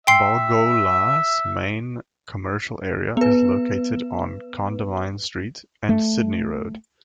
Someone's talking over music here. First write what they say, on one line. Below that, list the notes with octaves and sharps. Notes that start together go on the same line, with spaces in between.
Balgowlah's main commercial area is located on Condamine Street and Sydney Road.
E5 G5 C6 C7
B3 B4
A3